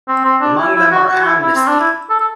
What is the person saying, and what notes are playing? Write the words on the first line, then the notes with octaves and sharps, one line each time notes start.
Among them are Amnesty!
C4
C4
D4
E4
E4
F#4
F#4
E4
E4
C4
D4
E4
A4
A4